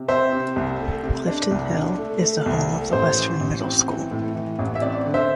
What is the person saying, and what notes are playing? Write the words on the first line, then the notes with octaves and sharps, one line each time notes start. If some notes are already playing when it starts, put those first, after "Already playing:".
Clifton Hill is the home of the Westran Middle School.
Already playing: C3
C4 C5 E5
C3
C2
A3
C3
D4
C2
D4
A3
A3
C2
A3
A1 C5
E3
A1
C4
E3
A2
E3
A1
E5
C4 D5
D3
C5 E5